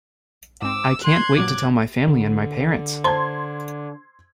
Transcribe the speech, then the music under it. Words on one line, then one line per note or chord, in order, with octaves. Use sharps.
I can't wait to tell my family and my parents.
G#2 C4 D6 E6
C6 F#6 G#6
G2 A#2 F#3 D6
D3
C5 A5 A#5 C6 G#6